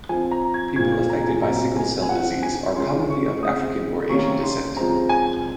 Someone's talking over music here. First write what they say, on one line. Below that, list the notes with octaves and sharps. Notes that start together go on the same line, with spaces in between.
People affected by sickle cell disease are commonly of African or Asian descent.
F3 C4 G#5
A#5
G#6
A#2 F3 C4 G#6
G#6
A#5
G#5
A#2 F#3 C4 A#5
G#5
G#5
C3 F3 C4 F#5
G#5
F3 G#3 C#4 C6
C#6
C#3 G#3 C4 D#6
C3 D#3 A#3 C#4 C#6
C6
F3 G#3 C4 A#5
G#5